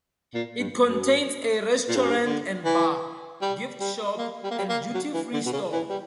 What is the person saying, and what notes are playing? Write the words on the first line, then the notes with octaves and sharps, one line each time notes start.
It contains a restaurant and bar, gift shop, and duty-free store.
A#2
G2
F#2
A#2
G2
F#2
G2
D3
E3
G3
G3
A#3
G3
A#3
G3
A#3
F#3
E3
D3
B2
C#3
E3
G3